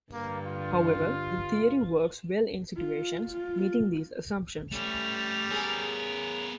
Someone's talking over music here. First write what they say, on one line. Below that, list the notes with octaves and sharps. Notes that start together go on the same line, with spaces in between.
However, the theory works well in situations meeting these assumptions.
G2 D3 G3 A#3
F4
F4
F4
G3 A3 C#4 F7
B3 C#4 G#4 A#4